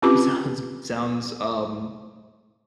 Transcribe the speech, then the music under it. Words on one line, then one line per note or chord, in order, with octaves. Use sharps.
Sounds sounds, um
C4 C#4 F4 G4 B4 D6